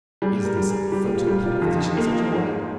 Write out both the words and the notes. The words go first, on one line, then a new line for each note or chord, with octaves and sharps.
Is this photoplay physician such a one?
G3 G#4
A#4
G3
G#4
G3 G4
F4
G3
F4
F4
F2 D#4
D#4
A#3
F4
G#2 G#4